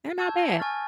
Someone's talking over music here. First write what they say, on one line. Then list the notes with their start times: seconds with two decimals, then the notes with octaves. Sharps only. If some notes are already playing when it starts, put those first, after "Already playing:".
they're not bad.
0.18 A5 C#6 E6 G6 G#6
0.39 A#6
0.59 G#5 C#6 F6 A6